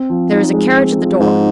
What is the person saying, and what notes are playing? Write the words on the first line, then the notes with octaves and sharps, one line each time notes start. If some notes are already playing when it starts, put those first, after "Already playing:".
There is a carriage at the door.
Already playing: C4
F3
D#4
G#3
C4
F3
G#2 D#4